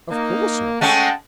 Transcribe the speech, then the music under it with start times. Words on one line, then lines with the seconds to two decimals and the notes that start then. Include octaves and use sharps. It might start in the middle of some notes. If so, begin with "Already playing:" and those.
'Of course not.
0.11 A#3 D#4
0.81 G#3 A3 C#4 F#5 G5 A5